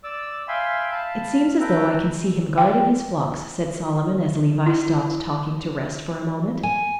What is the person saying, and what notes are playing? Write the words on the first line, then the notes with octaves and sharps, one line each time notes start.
"It seems as though I can see him guarding his flocks," said Solomon, as Levi stopped talking to rest for a moment.
D5 D6 E6
E5 F5 G5 G#5 B5 C6
F5 A5 B5
A4 B4 G5 A#5
G5
E4
G#5